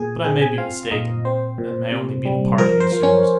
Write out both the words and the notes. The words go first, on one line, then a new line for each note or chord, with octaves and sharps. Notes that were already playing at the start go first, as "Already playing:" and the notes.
But I may be mistaken; that may only be the part he assumes.
Already playing: A#2 G#4 G#5
C4 G#4 G#5
G#4 G#5
C4 F4 F5
A#2 D#4 D#5
C4 C5
A#2
C3
G3
F3 A#4
C5
F3
C#4 C#5